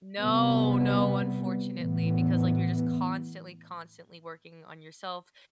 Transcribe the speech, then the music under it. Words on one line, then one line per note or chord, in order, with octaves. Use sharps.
No, no, unfortunately, because, like, you're just constantly, constantly working on yourself
C3 G3 B3
A2 E3 B3